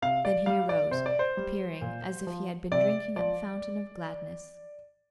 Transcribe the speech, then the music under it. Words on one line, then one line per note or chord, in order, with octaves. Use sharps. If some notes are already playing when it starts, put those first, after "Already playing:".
Then he arose, appearing as if he had been drinking at the fountain of gladness.
C3 F5
D5
G3 F5
D5
C3 C5
D5
C5
G3
A#2
F3
C3 D5
F3 D5